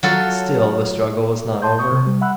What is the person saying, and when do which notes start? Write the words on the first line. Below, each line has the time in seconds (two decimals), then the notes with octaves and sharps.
Still the struggle was not over.
0.03 F#3 F4 A4
1.62 A5 C6 G6
1.78 C#6 D#6 G6
1.92 C3
2.06 G3
2.21 E5 F#5 B5 E6 F#6